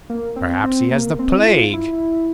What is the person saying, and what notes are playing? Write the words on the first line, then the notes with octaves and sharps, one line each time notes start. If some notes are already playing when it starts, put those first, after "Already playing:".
Perhaps he has the plague.
A#3
C4
C4
A#3
C4
E4
F4
E4